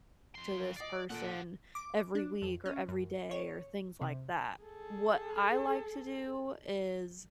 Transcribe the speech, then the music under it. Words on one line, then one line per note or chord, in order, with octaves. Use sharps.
to this person every week or every day or things like that," what I like to do is,
F2 C6
D5 D#5 C7
A#2 A4 D5 F#5
D6
D4
F2
C#4
F#2
C#5
C3
G#4 A4